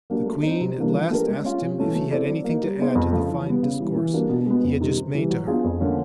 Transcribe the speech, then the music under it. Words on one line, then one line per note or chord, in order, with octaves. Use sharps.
The queen at last asked him if he had anything to add to the fine discourse he had just made to her.
F#3 A#3 D4 G4
A3
C4 D#4
C3
E3 G3 A#3 D4
F3
A3 D4 G4 A#4
G#3
C#4 F4
C3
E3 A3 C#4 F#4
A3
C4 E4 A4 D5
F#3
A#3 D#4
G3
B3 D#4 G#4 C5
F2
C#3 F3 A3
E3
G3 B3
C#3
E3 G3
E3
G3 A#3 D4 F#4
B2
G#3 B3
F2
C3 D#3 G3
C3
E3 G3
F#3
B3 D4 F4 G#4
F2
D3 F3 A#3 C#4